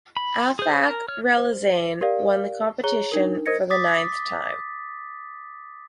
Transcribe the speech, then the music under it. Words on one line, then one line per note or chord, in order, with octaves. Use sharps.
Afak Relizane won the competition for the ninth time.
B5
G#4 C5
A#4
C#5 F6
C5
G4 A#4 D5 F5
G#4 C#5 A#5 G7
D4 D#4 A#4
A#4 C5 D#5 G#6 A#6 C#7
D6 D#6 A6 B6